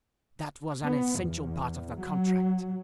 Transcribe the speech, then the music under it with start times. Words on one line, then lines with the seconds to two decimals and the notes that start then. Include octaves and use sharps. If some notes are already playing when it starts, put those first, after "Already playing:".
That was an essential part of the contract.
0.83 B3
1.20 E2
2.01 F#3